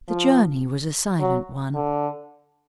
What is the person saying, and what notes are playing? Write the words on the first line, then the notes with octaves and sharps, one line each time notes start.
The journey was a silent one.
F3
F#3
D3